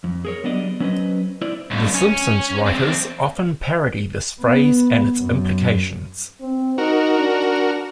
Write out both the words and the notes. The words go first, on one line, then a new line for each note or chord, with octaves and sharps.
"The Simpsons" writers often parody this phrase and its implications.
F2
G#4 A#4 C#5
F#3 G3 B3 D4 D5 D#5
F#3 C#4 B4 C5 D#5
E4 C5 D5
B1 G2
C#4
E2 C4
B3
F#2
C4
D#4 F#4 A#4
D4